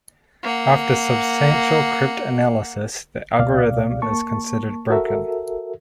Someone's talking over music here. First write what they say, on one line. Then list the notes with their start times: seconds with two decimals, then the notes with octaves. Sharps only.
After substantial cryptanalysis, the algorithm is considered broken.
0.43 A#3 F#5
3.39 C#2 B2 D5 F5
4.02 A#3 A5 C#6
4.90 F#4 A4 A#4 E5